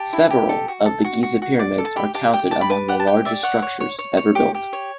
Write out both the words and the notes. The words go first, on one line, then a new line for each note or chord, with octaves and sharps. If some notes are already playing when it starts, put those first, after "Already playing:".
Several of the Giza pyramids are counted among the largest structures ever built.
Already playing: G4 A5
E4
G4
A4
F#4
A4
F#4
F#4
F#4
D5
A4
A5
G4 B5
G4 A5
G4 G5
D5 A5
B5
B4 A5
G4 F#5
A5
G4 G5
D5 E5
C#5 F#5
C#5
C#5
C#5
C#5
G4
G4
C#5